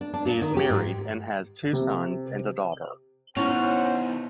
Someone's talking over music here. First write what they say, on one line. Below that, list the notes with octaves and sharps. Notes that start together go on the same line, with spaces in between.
He is married and has two sons and a daughter.
D4
D4
A#2
D#3
G4
G#2
C3
B2 D#3 C#4 E4 C5 F#5 F7